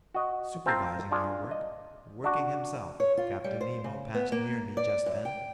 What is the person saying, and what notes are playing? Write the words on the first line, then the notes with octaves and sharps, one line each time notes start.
Supervising our work, working himself, Captain Nemo passed near me just then.
F#4 D#5
C4 F4 C5 A5 A#5
D4 F4 G#4
D#5
D4 F#4
C#5
F4
G3
C5
C#3
B3
A#3
D5
F#2
G5